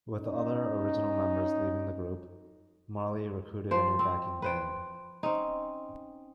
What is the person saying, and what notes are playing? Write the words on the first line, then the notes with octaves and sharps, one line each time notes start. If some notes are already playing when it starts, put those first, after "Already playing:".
With the other original members leaving the group, Marley recruited a new backing band.
C#4 D#4
F3 C5 G5
C4
B4 C5 G5
C4 C#4 D#4